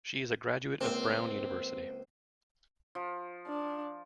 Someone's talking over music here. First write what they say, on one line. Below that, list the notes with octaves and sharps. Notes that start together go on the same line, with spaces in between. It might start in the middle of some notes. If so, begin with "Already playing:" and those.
She is a graduate of Brown University.
C#2 A#3 C4
F3
D4